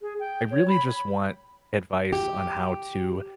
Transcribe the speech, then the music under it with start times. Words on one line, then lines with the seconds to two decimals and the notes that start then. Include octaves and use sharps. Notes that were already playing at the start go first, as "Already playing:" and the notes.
I really just want advice on how to
0.01 G#4
0.20 G5
0.51 C#5
0.68 B5
2.13 G4